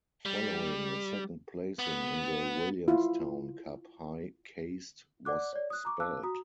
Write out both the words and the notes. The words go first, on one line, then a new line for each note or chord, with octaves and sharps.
Following a second placing in the Williamstown Cup High Caste was spelled.
G3
B3
E4 F4
D5 F#5 D6 F#6
C#5 D5
D#6 F#6
A#5 C#6 D6
F5 A5 D6 E6 F#6
F#4 A#5 D#6